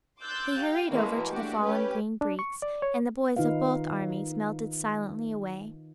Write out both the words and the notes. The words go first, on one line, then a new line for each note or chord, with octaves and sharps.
He hurried over to the fallen Green Breeks, and the boys of both armies melted silently away.
C6 D6 E6 F#6 G6 A6
G4 F5 G5
B2 E3 G#3 A#3 C#4 E4
A3 D4 F#4 G4
C#4 G4 B4
D4
C#6
D5
C#5
D#3 D#4 F4 B4 F5